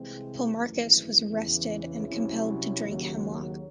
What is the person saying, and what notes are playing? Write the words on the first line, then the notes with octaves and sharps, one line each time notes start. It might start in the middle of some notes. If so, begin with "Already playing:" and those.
Polemarchus was arrested, and compelled to drink hemlock.
Already playing: C2 C3 E3 G#3 C4
G#1 F#2 E3 A3
E2 C#3 E3
C2 C3 F#3 C#4 E4
D#2 C#3 F#3